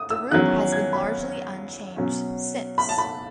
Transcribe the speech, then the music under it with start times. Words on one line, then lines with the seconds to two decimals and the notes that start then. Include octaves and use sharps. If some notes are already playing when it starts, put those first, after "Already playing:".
The route has been largely unchanged since.
Already playing: D#6
0.10 E6
0.31 E2 D#3 F#3 C#4 F#6
0.72 G#6
0.93 B5
1.96 B2 F#3 C#4
2.78 B5
2.89 A5
2.98 B5